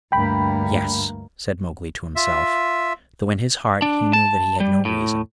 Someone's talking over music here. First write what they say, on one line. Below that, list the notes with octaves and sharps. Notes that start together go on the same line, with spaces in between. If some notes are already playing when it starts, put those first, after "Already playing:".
"Yes," said Mowgli to himself, though in his heart he knew that he had no reason.
D2 G2 A#3 G5 B5
F4 E5
D4
A5
G3
A2